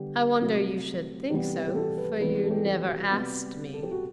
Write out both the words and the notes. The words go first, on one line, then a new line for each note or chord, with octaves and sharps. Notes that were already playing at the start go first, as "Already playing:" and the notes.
"I wonder you should think so, for you never asked me."
Already playing: D3 G3 B3 G4
C3 F#3 A3
C3 E3 G3 B3 G4
B4
G4
A4
B4
C3 E3 G3 B3 B4
A4
G4
A4
G4
F#4
C3 G3 B3
A4
G4
F#4